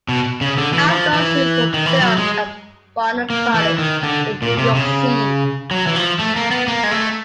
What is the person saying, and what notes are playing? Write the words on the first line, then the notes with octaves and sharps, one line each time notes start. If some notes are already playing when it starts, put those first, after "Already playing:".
Outdoor scenes were filmed at Barnard College in New York City.
B2
C#3
D3
E3
F3
E3
D#3
E3
F#3
G#3
A#3
E3
D#3
D3
A#2
C3
C#3
F#3
E3
F3
A3
A#3
B3
A#3
G#3
A3